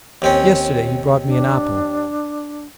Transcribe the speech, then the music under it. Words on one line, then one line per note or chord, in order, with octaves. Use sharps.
Yesterday he brought me an apple.
D#2 C4 C#4
D4